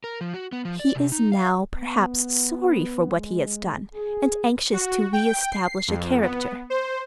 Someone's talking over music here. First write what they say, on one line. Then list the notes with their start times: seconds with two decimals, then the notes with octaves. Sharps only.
He is now, perhaps, sorry for what he has done, and anxious to re-establish a character.
0.04 A#4
0.21 F3
0.34 F#4
0.52 B3
0.65 F3
0.80 D5
0.95 C3
1.12 D#4
1.32 F5
1.76 B3
3.13 G#3
3.95 G#4
4.73 F#4
5.13 G5
5.52 C7
5.88 F2
6.22 B3
6.70 C5